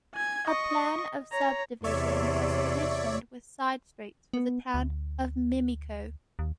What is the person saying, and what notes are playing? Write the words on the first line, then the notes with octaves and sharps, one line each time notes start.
A plan of subdivision was commissioned with side-streets for the 'Town of Mimico'.
G#5 G#6
D#5 C#6 D#6
C#5 A#5
E2 C3 C#5 D5 E5
B3
D2
D#2